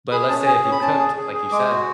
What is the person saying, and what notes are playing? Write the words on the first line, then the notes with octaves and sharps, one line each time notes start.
but let's say if you cooked like you said,
G#4 B5
C#4 A5
G#4 G#5
C#4
B5
C#4 A5
G#4
G#4
G#4
G#3 D6
F#4